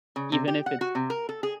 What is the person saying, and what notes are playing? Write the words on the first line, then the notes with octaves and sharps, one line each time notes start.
Even if it's
C#3
C3
G4
F#5
F#4
C3
A#4
A4
G#4